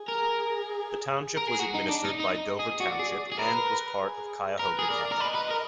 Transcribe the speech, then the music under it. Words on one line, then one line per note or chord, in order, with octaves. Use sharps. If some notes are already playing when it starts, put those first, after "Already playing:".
The township was administered by Dover township and was part of Cuyahoga County.
Already playing: G#4
A#4
A#4
G#4
F#4
D#4
D4
D#4
D#4 D#5
G#4
F#4 D5
G#4
G#4
A#4 B4
G#4
A#4 B4
G#4
A#4 D5
A#4
B4 D#5
B4
A#4